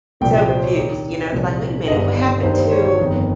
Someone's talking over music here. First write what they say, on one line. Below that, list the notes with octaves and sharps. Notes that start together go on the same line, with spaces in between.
so confused, you know, they're like, "Wait a minute, what happened to"
C2 A#2 F3 G5
D#5
C5
C#5
D#2 D#3
C2 A#2 F3
G1 G2 D#3 D#5
G1 G2 D#3 C5
C5
C#5
C#5
G1 F2 D#3